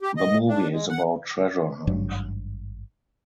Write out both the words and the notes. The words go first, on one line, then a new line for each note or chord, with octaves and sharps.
The movie is about treasure hunt.
G4
D#5
D4
G#3
F#5
G#1 G2 F#3